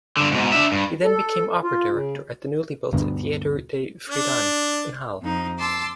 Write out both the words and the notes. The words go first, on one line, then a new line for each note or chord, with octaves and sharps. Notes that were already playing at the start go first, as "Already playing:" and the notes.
He then became opera director at the newly built "Theater des Friedens" in Halle.
G2 D3
G#2 B2
D4 E5
G2
A4
F4
C#3
D2 G2 B2
D4
F2 D#4
A5 C6 D6 E6